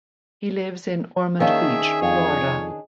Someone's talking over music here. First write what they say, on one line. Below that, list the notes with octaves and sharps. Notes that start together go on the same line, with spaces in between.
He lives in Ormond Beach, Florida.
D#3 A#3 C#4 D4 G#4 E5
F2 C#5